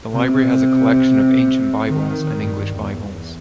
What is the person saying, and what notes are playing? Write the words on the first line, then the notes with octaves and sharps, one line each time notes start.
The library has a collection of ancient Bibles and English Bibles.
C3
D#3
G2
E2